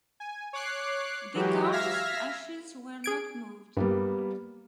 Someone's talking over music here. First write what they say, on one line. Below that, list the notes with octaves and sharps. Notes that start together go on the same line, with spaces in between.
Descartes' ashes were not moved.
G#5
C#5 D6 F#6 C7
E3 F#3 G#3 F#4 G4
E5 F5 F6 G#6 A#6 B6
G#4 G#6 D7
G2 G3 A#3 B3